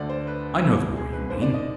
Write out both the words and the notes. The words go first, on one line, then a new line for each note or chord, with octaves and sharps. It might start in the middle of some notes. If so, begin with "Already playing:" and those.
I know the boy you mean.
Already playing: D2 D3 D5
C5
B4
C2 B2
G#4
B4
D#2 D#3 C5
D5
D#5